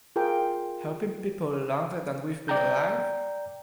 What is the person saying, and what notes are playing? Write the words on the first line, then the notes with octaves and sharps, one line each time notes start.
Helping people longer than we’ve been alive?
F4 G#4 A#4 G5
D5 G5 A#5 G6